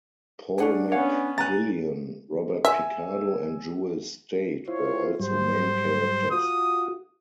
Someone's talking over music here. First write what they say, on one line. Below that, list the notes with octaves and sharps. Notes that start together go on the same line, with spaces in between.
Paul McGillion, Robert Picardo and Jewel Staite were also main characters.
C#4 D4 F#5 G#5
B3 C#4 C#5 F5 F#5
G#5 A#5 F#6 A6
E5 G#5 E6
E4 F4 C5 C#5
G#2 F#3 G3 C5
F4 F#4 D#6